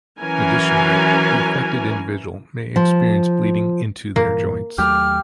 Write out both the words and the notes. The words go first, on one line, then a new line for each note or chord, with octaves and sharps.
Additionally, the affected individual may experience bleeding into their joints.
E3 F#3 C#4 A#4 G#5
F3
G2 A#2 E3 A#3
D#2 F#3 A3 G4 F6